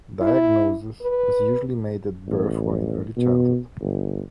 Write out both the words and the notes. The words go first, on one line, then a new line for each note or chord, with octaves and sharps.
Diagnosis is usually made at birth or in early childhood.
E4
B4
A1
B2
G1